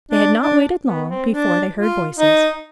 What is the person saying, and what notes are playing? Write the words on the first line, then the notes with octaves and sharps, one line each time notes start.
They had not waited long before they heard voices.
D4
D4
B3
C4
D4
F4
D#4